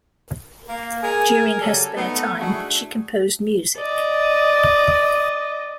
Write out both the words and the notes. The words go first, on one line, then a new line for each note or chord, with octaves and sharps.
During her spare time, she composed music.
A#3
G#4 A#4 G#5
C#3 F#3 G3 A4
A3 B3 D#4
A3 D4 E4 F#4 G#4 F#5
D5 D#5